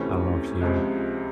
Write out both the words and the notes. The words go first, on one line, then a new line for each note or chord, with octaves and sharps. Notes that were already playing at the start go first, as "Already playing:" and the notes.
I don't know if you
Already playing: D2 C3 E3 A3 C#4
C#2 C3 F3 G#3